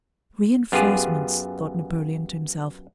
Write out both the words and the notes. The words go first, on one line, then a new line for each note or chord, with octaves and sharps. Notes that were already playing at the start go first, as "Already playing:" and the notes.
"Reinforcements!" thought Napoleon to himself.
F#2 B3 F4 G4 G#4